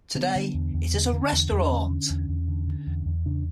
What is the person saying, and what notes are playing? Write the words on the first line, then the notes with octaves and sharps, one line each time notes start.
Today it is a restaurant.
D3 B3
D3
E2
E2
D3
D3
E2
E2
D4
D3 C#4
D3
E2
E2
D3
D3
E2
E2
C#3 D4